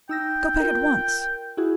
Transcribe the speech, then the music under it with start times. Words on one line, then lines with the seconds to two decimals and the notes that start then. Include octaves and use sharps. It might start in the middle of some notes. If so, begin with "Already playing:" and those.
Go back at once!
0.09 D#4 G5 E6 A#6
0.60 F4 A#4
1.57 E4 F#4 G#4